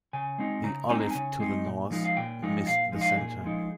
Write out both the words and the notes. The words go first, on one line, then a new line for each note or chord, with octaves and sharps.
The" Olive" to the north missed the centre.
C#3 G#5
G#3 C4 D#4
C#3 A#5
G#3 C4 D#4 G#5
A#5
C#3 G#5
G#3 C4 D#4
A#2
F3 G#3 D#4
F5
A#2 G5
F3 G#3 D#4
A#2 F5
F3 G#3 D#4
F5
A#2 G#4
F3 G#3 D#4